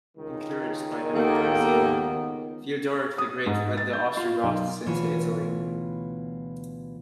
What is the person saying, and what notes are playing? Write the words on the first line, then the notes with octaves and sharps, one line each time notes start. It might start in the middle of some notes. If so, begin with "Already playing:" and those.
Encouraged by Emperor Zeno, Theodoric the Great led the Ostrogoths into Italy.
C#2 D#3
D#2 A#3 B3 A4 G5
D#6
G#2
A6
G6
F4
B1
D2 B2 E3 F4 C#5